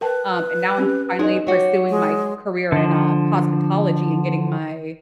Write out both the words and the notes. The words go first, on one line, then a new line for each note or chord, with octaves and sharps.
Um, and now I'm finally pursuing my career in, uh, cosmetology and getting my
A#4 B4 G5 A5
C4 C#4 G4
E2 D#4 G#4 D#5
F#3 F#4 G4
G#3
D3 F3